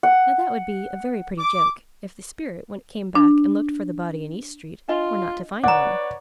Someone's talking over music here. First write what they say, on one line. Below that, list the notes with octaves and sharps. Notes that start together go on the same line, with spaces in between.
Now that would be a very pretty joke, if the spirit when it came back and looked for the body in East Street, were not to find one.
F#5
D6
D4
D4 F4 D#5 B5
B4 C#5 D5 F#5 A#5 D6